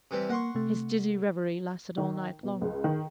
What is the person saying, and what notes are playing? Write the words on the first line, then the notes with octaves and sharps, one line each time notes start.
His dizzy revery lasted all night long.
C3 E3 G3
A#3 F#5 C6 C#6
C3 A3
D#3
B2
C#2
D#3